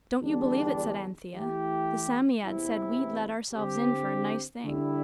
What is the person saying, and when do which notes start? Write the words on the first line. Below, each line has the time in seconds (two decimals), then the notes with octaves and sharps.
'Don't you believe it!' said Anthea. 'The Sammyadd said we'd let ourselves in for a nice thing.
0.24 E2 D3 G3 D4
1.34 E3 A3 E4 G4
2.44 E2 C3 E3 C4 E4
3.53 D3 C4 G4
4.64 D3 G3 E4